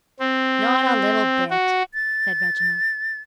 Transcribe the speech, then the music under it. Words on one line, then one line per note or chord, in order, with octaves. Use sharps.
'Not a little bit,' said Reginald.
C4
F#4
A6